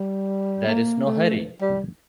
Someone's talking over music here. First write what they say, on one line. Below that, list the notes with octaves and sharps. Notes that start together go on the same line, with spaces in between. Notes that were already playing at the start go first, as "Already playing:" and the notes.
There is no hurry.
Already playing: G3
A#3
A3
G3